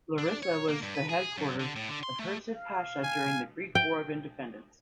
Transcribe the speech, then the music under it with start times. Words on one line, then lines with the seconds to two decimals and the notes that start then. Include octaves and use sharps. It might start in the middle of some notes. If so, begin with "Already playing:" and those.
Larissa was the headquarters of Hursid Pasha during the Greek War of Independence.
0.18 D4
0.43 C#5
0.68 A#3
0.82 G2
0.95 B4
1.09 G#4
1.38 F#2
1.60 D3
1.76 A2
1.89 D3
2.03 C6
2.19 A3
2.55 F5
3.03 G#5
3.75 G5